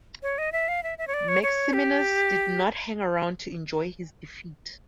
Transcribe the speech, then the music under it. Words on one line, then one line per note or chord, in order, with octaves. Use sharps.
Maximinus did not hang around to enjoy his defeat.
C#5
D#5
E5
F5
E5
E5
C#5
D5
C#5
C#5
G4